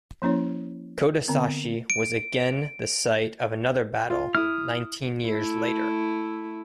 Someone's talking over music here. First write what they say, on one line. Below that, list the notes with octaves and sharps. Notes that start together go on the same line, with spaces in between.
Kotesashi was again the site of another battle nineteen years later.
F3 A#3 C#4 E4 C#5
D3 B3 C4
D7
F4
E4 D#6 F6
A3 E4